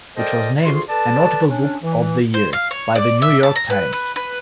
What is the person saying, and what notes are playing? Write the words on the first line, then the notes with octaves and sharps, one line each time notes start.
It was named a Notable Book of the Year by "The New York Times".
A4 A#4 C5 D5 D#5 G5
D2 F4 F#4 G#4 C6
A4 B4 D5 A5
C#4 D4
E3
C5
F5
C#5
D5
E5
A5
A#5
B4
B4
B4